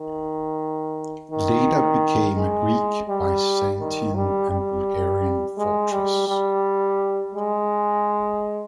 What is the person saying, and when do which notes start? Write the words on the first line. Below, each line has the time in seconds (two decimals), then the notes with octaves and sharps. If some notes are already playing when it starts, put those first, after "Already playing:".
Later became a Greek-Byzantine and Bulgarian fortress.
Already playing: D#3
1.31 D#3
2.37 G#3
3.09 G3
3.80 D#3
4.15 G3
4.51 G3
5.58 G#3
5.92 G3
6.28 G3
7.35 G#3